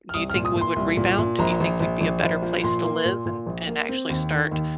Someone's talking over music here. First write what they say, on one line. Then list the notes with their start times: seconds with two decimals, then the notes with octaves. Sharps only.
do you think we would rebound? Do you think we'd be a better place to live and and actually start
0.09 F6
0.14 C2 D#6
0.30 F6
0.35 A#2
0.45 D#6
0.56 A#2
0.61 C6
0.76 C2
0.97 A#2
1.18 A#2
1.39 A#1 A#5
1.60 A#1
1.80 A#1
2.01 A#1
2.22 A#1
2.42 F3
2.64 A#2 C6
2.84 A#3
3.05 A#2
3.26 A#2
3.47 A#1
3.67 A#3
3.89 C4
4.09 D#2
4.30 D#3
4.51 D#2